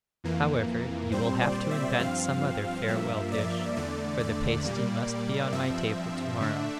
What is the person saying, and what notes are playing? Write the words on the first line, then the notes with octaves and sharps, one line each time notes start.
However, you will have to invent some other farewell dish, for the pasty must be on my table to-morrow.'
F2 E3 A#3
A#2 G3 C4 C5
D5
E5
G2 F3 C4 F5
G2 F3 A#3 E5
D5
E2 D3 A3 D5
D5
A#2 G3 A#3
G2 F3 C4 E5
D3 A3 D4